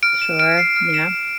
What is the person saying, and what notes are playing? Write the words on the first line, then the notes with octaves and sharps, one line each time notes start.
Sure, yeah.
F6 D7
E7
F6 D7
C7
F6
E7
F6